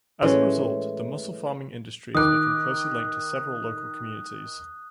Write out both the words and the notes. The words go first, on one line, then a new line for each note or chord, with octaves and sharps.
As a result, the mussel-farming industry has become closely linked to several local communities.
A2 E3 G#3 C#4
D#3 D6 D#6 F#6